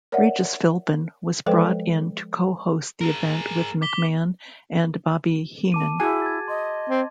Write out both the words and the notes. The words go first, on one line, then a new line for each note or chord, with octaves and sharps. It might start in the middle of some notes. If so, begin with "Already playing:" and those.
Regis Philbin was brought in to co-host the event with McMahon and Bobby Heenan.
A#4 C#5 D5 E5 F#5
F3 G#3 A4 B4 C5 G5
G#4 A#4
D6 B6 G7
A5 D6 D#7
E4 F#4 G#4 G#5
G#6 A6
D#5 C6
C4